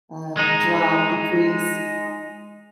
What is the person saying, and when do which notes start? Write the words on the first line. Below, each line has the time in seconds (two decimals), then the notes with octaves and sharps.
uh, drop, decrease.
0.37 G#3 D#4